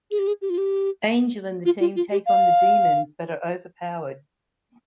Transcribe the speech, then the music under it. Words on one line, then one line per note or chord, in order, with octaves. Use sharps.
Angel and the team take on the demon but are overpowered.
G#4
G4
G#4
G4
F4
G4
F4
F4
F4
G4
F5